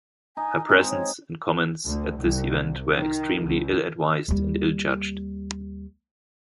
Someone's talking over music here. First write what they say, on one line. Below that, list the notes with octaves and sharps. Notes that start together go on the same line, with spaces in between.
Her presence and comments at this event were extremely ill-advised and ill-judged.
D#4 G#5
G#3 C4 F#4
C#5
D2
C2
D#3
C#2
D#2 G3